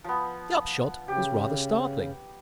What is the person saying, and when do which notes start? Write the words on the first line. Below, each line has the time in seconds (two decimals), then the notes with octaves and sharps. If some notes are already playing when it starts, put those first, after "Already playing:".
The upshot was rather startling.
0.04 F3 B3
1.08 C#3 G4